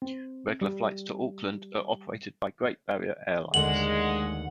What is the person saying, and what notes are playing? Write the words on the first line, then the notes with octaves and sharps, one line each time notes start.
Regular flights to Auckland are operated by Great Barrier Airlines.
C4
G3
D#2 D3 G#3 A3 F#5 F#7